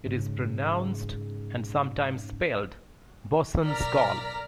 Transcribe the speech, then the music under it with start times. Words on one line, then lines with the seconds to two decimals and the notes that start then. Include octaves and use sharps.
It is pronounced, and sometimes spelled, "bosun's call".
0.06 G#2 C#3
3.65 B1 A#4 D5 A#5 F6 B6